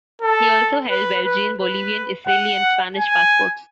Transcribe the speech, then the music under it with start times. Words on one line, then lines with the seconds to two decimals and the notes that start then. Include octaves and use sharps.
He also held Belgian, Bolivian, Israeli, and Spanish passports.
0.21 A4
0.90 B4
1.24 B4
1.58 B4
2.27 F#5
2.97 G#5